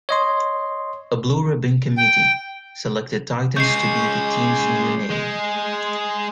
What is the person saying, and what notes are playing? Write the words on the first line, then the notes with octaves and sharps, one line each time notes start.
A blue-ribbon committee selected "Titans" to be the team's new name.
C#5 D#5 C6
G5
G#3 C#4 G6 C7
G#3